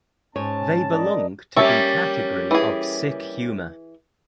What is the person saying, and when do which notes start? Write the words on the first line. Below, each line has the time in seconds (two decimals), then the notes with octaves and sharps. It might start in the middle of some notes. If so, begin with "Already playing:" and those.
They belong to the category of sick humor.
0.36 G#2 C#4 C#5 A5
0.92 D4 A#4 D#5
1.56 G3 A#3 C#4 C#5 E5 A5
2.51 E3 G#4